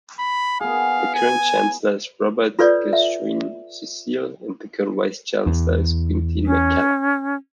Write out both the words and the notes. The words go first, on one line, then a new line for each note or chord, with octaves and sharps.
The current chancellor is Robert Gascoyne-Cecil and the current vice-chancellor is Quintin McKellar.
B5
B3 G#4 F5
G#5
F4 A4 B4 C#5 D5
E5
E2
C#4